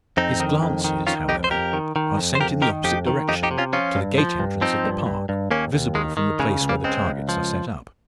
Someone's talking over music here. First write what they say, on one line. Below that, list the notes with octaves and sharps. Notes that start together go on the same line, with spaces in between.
His glances, however, are sent in the opposite direction--to the gate entrance of the park, visible from the place where the targets are set up.
F2 C4 D#4
D#3
F2
D#3
D#3 C#4 F4
F2 D#4 G4
C5
F2 G4 A#4
D#3
D#3
F2
C5
F2 G4 A#4
D#3 G4 A#4
F2 D#4 G4
D#3
F2 D#4 G4
D#4 G4
C3
C#4 F4
F3 C#4 F4
G2
F3
G2
F3 C4 D#4
G2
G2
G2
D#2 A#3 C#4
D#2
D#3 G#3
D#3
C#3 G#3
C#2
G3 A#3
C#2 G#3 C4
C#2
F3